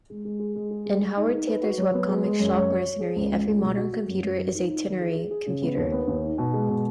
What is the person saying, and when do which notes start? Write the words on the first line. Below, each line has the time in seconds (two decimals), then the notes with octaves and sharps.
In Howard Tayler's webcomic "Schlock Mercenary", every modern computer is a ternary computer.
0.10 G#3
0.25 G#3
0.39 G#4
0.55 G#3
0.71 G#4
0.86 G#3
1.01 G#4
1.17 D#4
1.32 D#4
1.47 B4
1.63 F#4
1.78 F#3
1.93 B3
2.08 G#3
2.24 G#3
2.39 F#2
2.55 C#5
2.70 C#5
2.85 C#5
3.00 G#4
3.16 C#2
3.31 C#2
3.47 C#2
3.61 B2
3.77 F#4
3.93 F#4
4.08 F#2
4.23 F#2
4.39 F#4
4.54 D#4
4.69 D#4
4.85 D#3
5.00 G#4
5.15 G#4
5.31 G#4
5.46 C#3
5.62 B3
5.77 D#2
5.92 B3
6.07 D#2
6.23 D#4
6.38 B2
6.53 G#3
6.69 B2